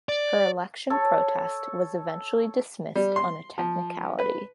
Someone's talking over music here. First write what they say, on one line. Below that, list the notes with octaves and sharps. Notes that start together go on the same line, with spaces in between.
Her election protest was eventually dismissed on a technicality.
D5
A4 C#5
G3
C6
F3
B4